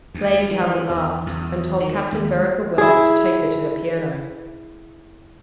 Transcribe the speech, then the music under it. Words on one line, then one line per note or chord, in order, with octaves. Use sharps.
Lady Tallant laughed, and told Captain Vereker Wells to take her to the piano.
D2
E3
E2
E2
D#3
D#2
E4 G#4